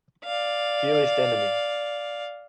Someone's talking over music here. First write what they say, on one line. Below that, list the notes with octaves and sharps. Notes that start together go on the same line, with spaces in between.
Here is the enemy!
D5 F5